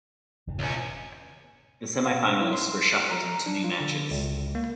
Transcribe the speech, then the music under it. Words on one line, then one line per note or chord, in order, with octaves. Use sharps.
The semifinalists were shuffled into new matches.
E1 G#2 C#3
C#2 C#4
F5
D4
E4
C6
F#6
A#5
D4
F4
D3
C#2
A#3